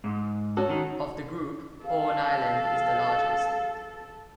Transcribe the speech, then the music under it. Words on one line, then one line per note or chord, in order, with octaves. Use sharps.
Of the group, Horn Island is the largest.
G#2
C#4 F#4 A4
D#3
A4 F5